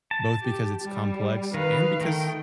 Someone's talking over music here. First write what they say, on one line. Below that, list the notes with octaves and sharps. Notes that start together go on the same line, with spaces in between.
both because it's complex and because
A5
G4
G3
D#3 B4 F5
D#3 A3 G5